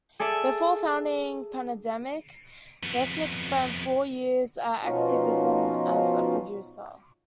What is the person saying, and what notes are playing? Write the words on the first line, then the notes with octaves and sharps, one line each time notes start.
Before founding Pandemic, Resnick spent four years at Activision as a producer.
G#4 A4 D5 E5
F2 B3
B2 F3 C#4 D#4 F4 F#4